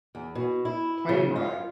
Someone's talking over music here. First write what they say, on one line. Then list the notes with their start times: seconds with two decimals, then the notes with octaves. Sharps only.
a plane ride,
0.15 E2
0.35 B2
0.65 E4
1.09 C#3
1.36 F4